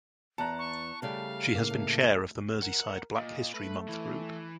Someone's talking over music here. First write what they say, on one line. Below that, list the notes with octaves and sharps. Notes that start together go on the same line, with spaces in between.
She has been chair of the Merseyside Black History Month Group.
E2 A5 A#5 F#6 C#7
C#6
C#3 G3 A3 F5
A2 C#3 A#3
A3
A#4 F#5
A#2 D#5
A3 B4
E3